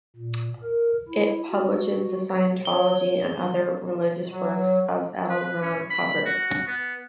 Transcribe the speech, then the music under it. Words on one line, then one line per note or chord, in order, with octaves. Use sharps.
It publishes the Scientology and other religious works of L. Ron Hubbard.
A#2
A#4
E4
F#4
C#5 G7
F#3
B4
C#4
B5
F#4
B3